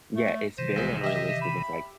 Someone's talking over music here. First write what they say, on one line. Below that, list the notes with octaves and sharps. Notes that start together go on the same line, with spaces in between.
Yeah, it's very unrealistic. It's, like,
A3
C3 D#3 E3 C5
C2 G#3
G4 D#5 E5
B5